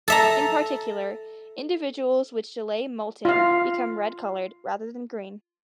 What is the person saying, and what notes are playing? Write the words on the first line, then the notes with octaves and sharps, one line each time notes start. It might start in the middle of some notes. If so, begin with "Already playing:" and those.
In particular, individuals which delay moulting become red-coloured rather than green.
A4 E5 A#5
F4 F5